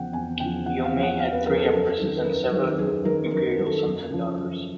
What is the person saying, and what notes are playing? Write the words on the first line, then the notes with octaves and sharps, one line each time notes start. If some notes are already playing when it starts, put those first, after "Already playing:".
Yomei had three Empresses and seven Imperial sons and daughters.
Already playing: E2 C#3 F3 F#5 G5
E2 G#5
C#3 F3 G5
E2 F#5
F5
C#3 F3
F#5
E2 F5
B4
C#3 F3 A#4
A4
F#2 A4
D#3 F#3
B4
F#2 A#4
D#3 F#3
F#2 G#4
D#3 F#3 A#4
F#2 A#4
A#4
D#3 F#3
A4
F#2
C#3 F3
F#2